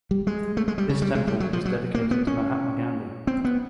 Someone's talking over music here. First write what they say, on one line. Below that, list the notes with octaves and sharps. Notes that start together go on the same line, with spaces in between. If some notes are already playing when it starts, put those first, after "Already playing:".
This temple is dedicated to Mahatma Gandhi.
G3
G#3
A3
G#3
G3
C#3
G3
G#3
G3
F#3
F3
F#3
A#3
B3
C#4
C4
B3